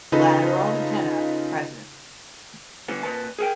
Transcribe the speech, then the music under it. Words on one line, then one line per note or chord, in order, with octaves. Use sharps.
Lateral antennae present.
C#3 D#4 F4 A4 B4
D3 G3 B3
A#2 B4 A5
G#4 A#4 G5